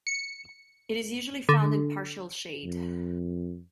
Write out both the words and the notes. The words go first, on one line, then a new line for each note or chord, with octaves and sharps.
It is usually found in partial shade.
C#7
D3
F2